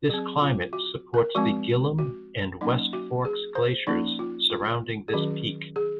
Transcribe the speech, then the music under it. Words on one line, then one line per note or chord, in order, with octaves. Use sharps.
This climate supports the Gillam and West Fork Glaciers surrounding this peak.
F#3 C4 G#4
F4
F#4
A#4
F3 G#3 C4 F#4
F#4
F#3 A#3 C#4 D#4
F#4
G#4
C5
F3 A#3 C#4 D#4
F4
F4
G#4
D#3 F#3 C#4 F#4
G#4